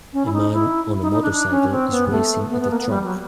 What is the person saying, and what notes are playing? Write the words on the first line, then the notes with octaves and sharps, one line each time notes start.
A man on a motorcycle is racing at a track.
C#4
E4
D#4
E4
D#4
D#4
D4
D4
C#4
C4
B3
A3
B3
B3
A#3
B3
G3
F#3